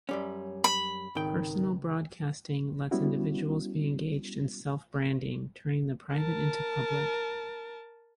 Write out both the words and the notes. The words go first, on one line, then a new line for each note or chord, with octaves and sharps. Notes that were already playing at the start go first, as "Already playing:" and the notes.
Personal broadcasting lets individuals be engaged in self-branding, turning the private into public.
F#2 G3 C#4
B5
G#1 C#2 D#3 G5
G3 B3 C#4 E4 F#4
A#4 A5